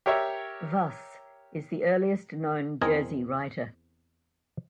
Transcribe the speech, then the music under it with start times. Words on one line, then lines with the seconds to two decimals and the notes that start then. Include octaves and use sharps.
Wace is the earliest known Jersey writer.
0.06 G4 A#4 C#5 E5
2.81 E2 C4 A#4 D#5 G#5